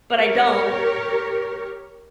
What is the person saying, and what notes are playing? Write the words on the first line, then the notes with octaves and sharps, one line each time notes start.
but I don't.
G4 A#4 C#5